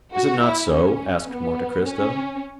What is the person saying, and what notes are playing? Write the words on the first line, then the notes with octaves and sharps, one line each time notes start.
"Is it not so?" asked Monte Cristo.
F#4
E4
C#4
B3
C#4